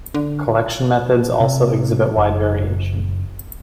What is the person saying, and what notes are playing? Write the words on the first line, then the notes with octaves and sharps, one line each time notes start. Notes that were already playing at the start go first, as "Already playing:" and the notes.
Collection methods also exhibit wide variation.
D3
C3
F#1